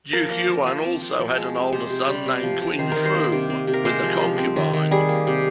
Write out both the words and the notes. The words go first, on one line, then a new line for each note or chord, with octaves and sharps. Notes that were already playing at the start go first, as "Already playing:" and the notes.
Duke Huan also had an older son named Qingfu with a concubine.
F3 A#4
A#3
F3
F3
C4
F3
F3
G#3
C4
C3 C5
C3
G3
C3
F3
C3
D#3 C5
D#3 A#4
C5
A#3
C3
C4
C3
A#4
G#3 C5
F3
F3
C4
D#3
D#3
G3 G#4
A#3
C3